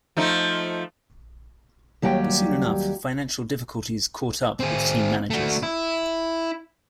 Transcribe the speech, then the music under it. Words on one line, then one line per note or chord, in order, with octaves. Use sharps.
But soon enough financial difficulties caught up with team managers.
F3 A3 D#4
D#2 F#3 G3 G4 G5
C4 G#4
A3 F#4
E4